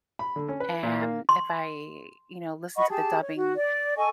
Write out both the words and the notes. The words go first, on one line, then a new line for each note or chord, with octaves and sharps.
am, if I, you know, listen to the dubbing,
B5
D3
C#4
B4
A#2
A#3
C6
D#5 F#5 B5 C#6
G4 G#4 A5
C#5
F#4
D5
A4 D#5 G#5 C#6